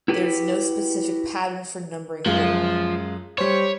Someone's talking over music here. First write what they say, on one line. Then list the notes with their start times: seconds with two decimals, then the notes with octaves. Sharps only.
There is no specific pattern for numbering order.
0.08 E4 F#4 G4 B4
2.26 F#2 F3 G#3 F4
3.38 G3 C5 C#5